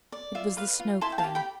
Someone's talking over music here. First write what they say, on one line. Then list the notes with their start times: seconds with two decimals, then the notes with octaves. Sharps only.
It was the Snow Queen.
0.12 D5
0.35 F4 E5
0.57 B4 F5
0.80 F4
1.01 E4 A5 C6
1.12 G5
1.18 F5 A5
1.24 G4
1.35 G5 B5